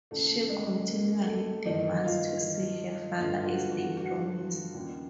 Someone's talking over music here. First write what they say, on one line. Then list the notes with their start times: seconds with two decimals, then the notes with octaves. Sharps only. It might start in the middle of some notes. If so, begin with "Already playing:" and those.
She continually demands to see her father as they promised.
0.11 D#2 C#3 E3 A3
0.49 G#3
0.89 A#3
1.26 A3
1.65 G2 D#3 D#4
2.04 F4
3.20 G2 D3 F3 F4
3.40 F4
3.46 F#4
3.72 F#4
3.97 F#4
4.74 D#2 C#3 F3